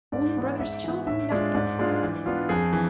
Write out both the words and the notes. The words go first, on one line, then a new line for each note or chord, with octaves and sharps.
"Own brother's children, nothing!" sneered Ellen.
G#2 D5
E3 B3 E4
G#2 E5
E3 B3
A2 E5
G#3 D4 F4 D5
G#2 D5
G#3 D4 F4
E3
B3 D4 F4
F2 G#4
E3